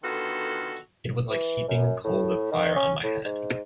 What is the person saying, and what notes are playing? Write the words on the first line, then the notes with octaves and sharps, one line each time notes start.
It was like heaping coals of fire on my head.
D3 D#3 B3 F4 F#4 A4
E3
F#2
A2
D#3
C#4
A2
G#2